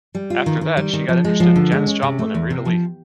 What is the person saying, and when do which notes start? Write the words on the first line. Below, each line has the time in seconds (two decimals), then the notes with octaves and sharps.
After that, she got interested in Janis Joplin and Rita Lee.
0.15 G3
0.30 F4
0.46 D#3
0.61 D#3
0.77 G3
0.93 D#3
1.09 F3
1.24 G#3
1.40 F3
1.56 D3
1.72 G#3
1.87 C#4
2.02 C3
2.19 A3
2.34 E2
2.50 C3
2.65 F3